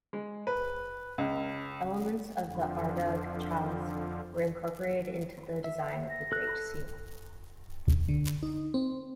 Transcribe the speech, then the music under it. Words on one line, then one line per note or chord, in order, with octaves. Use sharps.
Elements of the Ardagh Chalice were incorporated into the design of the Great Seal.
G#3
B4
C#2
F2 D3 F3
E5
A#6
A4 F#6
D3
D#4
C4